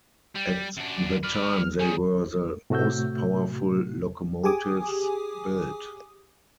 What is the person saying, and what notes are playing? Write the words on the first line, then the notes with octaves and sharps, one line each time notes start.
At the time they were the most powerful locomotives built.
G3
F#2 D4
B4 D5 F6
G3 C#4 G#4
A2 C3 A3 F#4 E6 G6
G4 G#4 G#5 D6 D#6